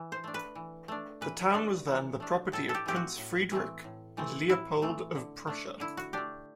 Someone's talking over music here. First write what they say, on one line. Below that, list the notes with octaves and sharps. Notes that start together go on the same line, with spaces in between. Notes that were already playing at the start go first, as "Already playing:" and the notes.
The town was then the property of Prince Friedrich Leopold of Prussia.
Already playing: E3
C5
A3 D4
B4
E3
A3 D4
E3 B4
A3 D4
E3
A3 D4
A2 A4
A4
G4
E3 A3 C4 G4
F#4
A2
E3 A3 C4
A2
E3 A3 C4
A2 E4
E3 A3 C4
D3
A3 D4
D3 E4
F#4
A3 D4 G4